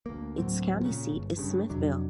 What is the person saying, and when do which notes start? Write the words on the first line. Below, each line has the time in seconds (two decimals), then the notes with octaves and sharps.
Its county seat is Smithville.
0.06 D2 A#3
0.38 D2 A2 F#3 C4
0.83 A#2 C#3
1.12 G1
1.37 G2 C#3
1.70 F2 C3 F#3 D4